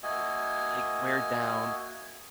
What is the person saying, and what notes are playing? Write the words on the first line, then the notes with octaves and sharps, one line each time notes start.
like wear down,
A#3 F#4 D#5 E5 G#5